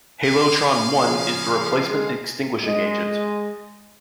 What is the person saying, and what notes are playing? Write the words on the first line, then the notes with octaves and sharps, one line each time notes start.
Halotron I is the replacement extinguishing agent.
F5
C#3 F3
G#3
G#3 D#5